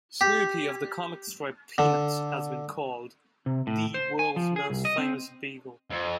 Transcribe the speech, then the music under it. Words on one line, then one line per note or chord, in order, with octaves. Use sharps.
Snoopy of the comic strip "Peanuts" has been called "the world's most famous beagle".
G4
D3
C3
A2
C5
G#5
F3
G#4
C2
D#5
C4
F2